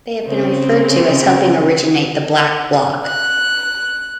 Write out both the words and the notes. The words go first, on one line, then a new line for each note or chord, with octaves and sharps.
They have been referred to as helping originate the Black Bloc.
C#3 C4
F#6